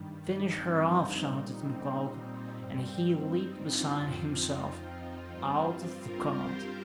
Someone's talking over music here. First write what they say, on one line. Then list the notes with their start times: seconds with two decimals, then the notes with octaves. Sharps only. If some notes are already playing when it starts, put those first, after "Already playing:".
"Finish her off," shouted Mikolka and he leapt beside himself, out of the cart.
Already playing: G2 D#3 G3
0.19 D#4
0.53 C4
0.87 D#4
1.21 A#2 G3 D#4
1.56 C4
1.90 C4
2.24 C4
2.57 G2 G3
3.26 D#4
3.60 C4 F4
3.94 F2 F3
4.29 D#4
4.63 D#4
4.96 D#4
5.30 G2 G3 C4 F4
5.98 F4 A#4
6.32 G4 C5